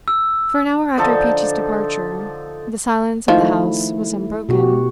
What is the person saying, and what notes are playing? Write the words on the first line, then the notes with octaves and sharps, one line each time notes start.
For an hour after Peachey's departure, the silence of the house was unbroken.
E6
D3 F3 D#4 A4
D#3 F3 A3 E4
B2 F#4 G4